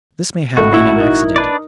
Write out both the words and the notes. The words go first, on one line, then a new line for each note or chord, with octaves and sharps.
This may have been an accident.
G#1 C#2 A#2 A3 F#4
E4
D#4 A#4
D4 B4 D5